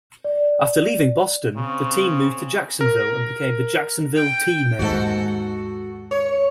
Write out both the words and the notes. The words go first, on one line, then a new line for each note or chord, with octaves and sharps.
After leaving Boston, the team moved to Jacksonville and became the Jacksonville Tea Men.
D5
C#3 C4
A#4
G5
D#2 G#2 F#4 A4
C#5